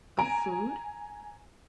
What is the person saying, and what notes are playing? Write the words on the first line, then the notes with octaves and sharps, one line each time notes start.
a food,
G#5 A#5 D7